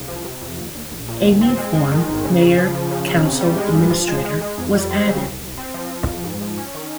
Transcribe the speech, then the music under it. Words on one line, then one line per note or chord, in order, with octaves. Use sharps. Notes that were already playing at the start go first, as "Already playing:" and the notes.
A new form, mayor-council-administrator, was added.
Already playing: C2 C#3
F3
C3
F2
D#2
D#2
A#1
A#2
D#2
C4
G#3
G#3
D#3
G#1
C#3
C#3
F3
F3
C#3
C#3
C3
G3
G#3
G2
F3
G#3
G#3
G#3
F2
G3
C4
C#3
C2
C2
C4
F3
F3
F2
G#2
F3
C#4
D#3